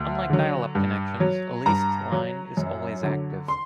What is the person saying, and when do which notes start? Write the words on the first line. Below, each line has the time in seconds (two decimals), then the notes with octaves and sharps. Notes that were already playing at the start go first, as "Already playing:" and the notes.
Unlike dial-up connections, a leased line is always active.
Already playing: D2
0.30 D3 F#3
0.75 G2
1.20 F#3
1.66 G2 A#5
2.12 F#3
2.57 F#2
3.03 D3 F#3
3.48 C6